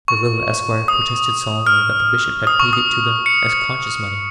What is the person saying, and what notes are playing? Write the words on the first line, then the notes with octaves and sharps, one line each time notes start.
The little esquire protested solemnly that the Bishop had paid it to them as conscience-money.
C#6
D#6
F6
D#6
C#6
D#6
C#7